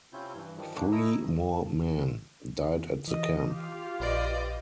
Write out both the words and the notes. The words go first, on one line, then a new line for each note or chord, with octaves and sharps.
Three more men died at the camp.
C3 C4 C#4 E4 F4 G6
G2 E3
D#3 F3 G3
D3 E3 A3 A#3 D4
A3 E4 D#5 A#5 E6
E3 D#5
F4 G4 F5
A#1 B4 D5 D#5